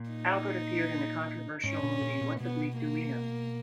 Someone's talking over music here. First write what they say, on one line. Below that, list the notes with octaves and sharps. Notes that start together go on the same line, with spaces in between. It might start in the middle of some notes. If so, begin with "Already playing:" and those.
Albert appeared in the controversial movie What the Bleep Do We Know!?
Already playing: A#2
D#4
G#2 C#4
A#2
A#2
A#2
B2 B3
A#3